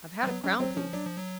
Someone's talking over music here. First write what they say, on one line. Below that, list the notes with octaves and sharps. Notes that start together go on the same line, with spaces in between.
I've had a crown-piece.
G3
F#3 B3
F#3 C#4
F#3 C4
F3 C#4
F#3 D4
F3
F#3